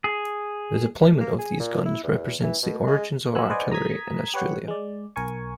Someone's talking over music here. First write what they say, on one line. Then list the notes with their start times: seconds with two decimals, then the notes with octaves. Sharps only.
The deployment of these guns represents the origins of artillery in Australia.
0.04 G#4
1.20 A#3
1.39 G#4
1.60 A#2
1.86 E4
2.04 E2
2.43 E3
2.63 B2
2.87 G#3
3.35 F#3 F#5 G#5 E6 F#6
3.50 B4 C5 D5 D#5 F#5 G#5
3.71 A#5 D#6 G#6 B6
4.34 G4 B4 C#5 F#5
4.68 G#3 D5
5.16 B1 A#4 G#5 C#6